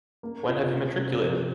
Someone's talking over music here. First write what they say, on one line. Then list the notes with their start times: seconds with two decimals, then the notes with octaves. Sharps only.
When have you matriculated?
0.23 A#3
0.48 F4
0.73 C3
0.98 C3
1.24 F3